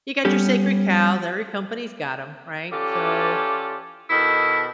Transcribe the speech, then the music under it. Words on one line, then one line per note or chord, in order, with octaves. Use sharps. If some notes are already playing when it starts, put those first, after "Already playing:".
you got your sacred cows, every company's got 'em, right? So,
G3 B3 C#4 G4 A4
C#4 F4 G4 A4 D5
B2 D#3 E4 A4